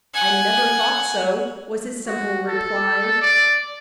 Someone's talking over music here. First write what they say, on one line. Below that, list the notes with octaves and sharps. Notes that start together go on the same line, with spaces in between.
"I never thought so," was his simply reply.
F#5 G#5
F#4
A4
D5